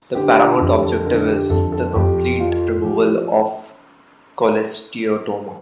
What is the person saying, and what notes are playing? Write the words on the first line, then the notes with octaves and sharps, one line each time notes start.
The paramount objective is the complete removal of cholesteatoma.
D3 G4
F4
F2 G4
A4
D3 A#4
G4
F2 A4
A4
F2 G4
F3 F4
F3 G4